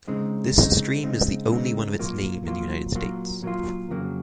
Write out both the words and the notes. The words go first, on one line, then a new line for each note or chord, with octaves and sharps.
This stream is the only one of its name in the United States.
C#3 G#3 C4 D#4
C#3 G#3 C4 D#4
C#3 G#3 C4 D#4
C#3 G#3 C4 D#4
A#2 F#3 A#3 F4
A#2 F#3 A#3 F4
A#2 F#3 A#3 F4
A#2 F#3 A#3 F4
F2 C#3 F#3 A#3